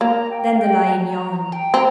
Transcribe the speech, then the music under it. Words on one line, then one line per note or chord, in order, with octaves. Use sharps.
Then the lion yawned.
A#3 A#5
G5
F5
G5
A#5
A#5
A#5
G5
C4 A#5